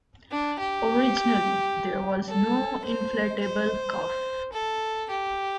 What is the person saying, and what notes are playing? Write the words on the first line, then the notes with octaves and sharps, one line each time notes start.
Originally, there was no inflatable cuff.
D4
G4
A4
C5
C5
A4
G4